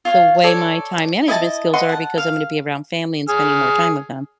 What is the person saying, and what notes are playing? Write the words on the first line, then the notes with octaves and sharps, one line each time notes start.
the way my time management skills are because I'm gonna be around family and spending more time with them.
F4 C#5 F5
A4 C#5 D5
E4 D#5 G#5 A5
B4 D#5 F#5 C6
F#5 A5
F5
G#4 F6